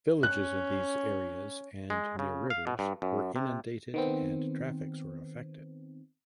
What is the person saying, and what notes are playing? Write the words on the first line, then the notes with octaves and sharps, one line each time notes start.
Villages in these areas and near rivers were inundated and traffics were affected.
C#4 F#6
G#3
C#3
F5
B2
G2
F#2
C3
D#3 B3 C4